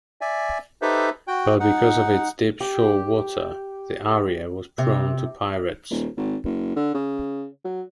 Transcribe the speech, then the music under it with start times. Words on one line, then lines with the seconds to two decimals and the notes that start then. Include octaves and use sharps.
But because of its deep shore water, the area was prone to pirates.
0.21 D5 E5 G#5
0.82 D#4 G4 A4 B4 C5 E5
1.28 F#4 G5
1.60 D#4 F#5
2.60 G4
4.78 C3
5.90 D#1
6.17 G#1
6.45 F#1
6.76 D3
6.94 C#3
7.65 F#3